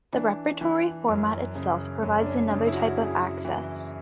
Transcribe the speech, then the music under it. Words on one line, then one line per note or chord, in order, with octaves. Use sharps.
The repertory format itself provides another type of access.
E3 D4
E3
F#2
C#3
F#2 C#4
D4
C#4
C#3 D4
E4
F#4
C#3 G#4
E3